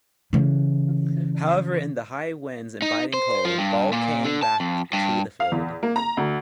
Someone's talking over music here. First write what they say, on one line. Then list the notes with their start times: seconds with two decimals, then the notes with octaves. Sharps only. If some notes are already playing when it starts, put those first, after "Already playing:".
However in the "high winds and biting cold" Ball came back to the field.
0.33 C#3 E3
2.82 D#4
3.14 C5
3.45 F3
3.58 G2
3.93 A#2
4.25 D3
4.43 A5
4.60 F2
4.93 G2
5.40 F5
5.52 E2
5.83 A#3
5.96 A#5
6.17 D2